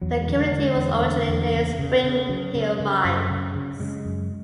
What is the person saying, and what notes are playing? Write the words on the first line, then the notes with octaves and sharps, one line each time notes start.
The community was originally named Springhill Mines.
E2 F#3
G#3
D3 F#3
G#3
D3
G#3
E2
D3
E2
C#3
C#3
C#3
C#3 F#3
C#3
C#3
F#2
C#3
C#3
C#3 G#3
F#2